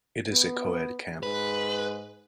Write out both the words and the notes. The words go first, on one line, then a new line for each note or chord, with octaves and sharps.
It is a coed camp.
B3
G#2 B4